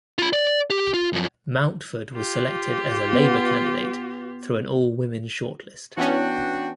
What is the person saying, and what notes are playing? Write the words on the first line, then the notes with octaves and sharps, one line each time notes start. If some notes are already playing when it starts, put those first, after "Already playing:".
Mountford was selected as a Labour candidate through an all-women shortlist.
F4 B5
D5
G4
F4
F#2 F3
F4 G4
B3
E3 B3 C#4 D4 F#4 G5